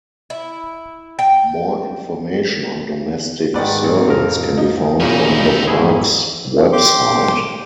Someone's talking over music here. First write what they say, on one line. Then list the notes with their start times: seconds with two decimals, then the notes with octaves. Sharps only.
More information on domestic servants can be found on the park's website.
0.30 E4
1.19 G5
3.54 G#2 D#3 B4 D5 F#5
3.84 A1
4.08 F2 A#4
4.58 D#4
5.00 E2 A#2 C#3 A#3 D#4 E4
5.68 G#2 E4 G#4
6.73 G4 C6 D6